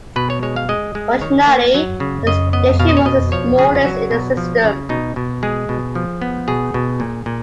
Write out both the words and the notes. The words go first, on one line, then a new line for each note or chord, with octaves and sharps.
Originally, the station was the smallest in the system.
B2 B4
C#5
G#3 C#5
F5
G#3 D#5
G#3
D#3 C#5
A#3
F#3
C#3
C#3 D#5
B3 D#5
B2 F5
D#5
C#5
B2 D#5
F3 C#5
C#3 G#4
F4
F#3 F#4
B2
F3
C#3
B2 D#4
B2
G#3 G#4
B2
F3
B3
B2 G#4
B2
A#2
A#2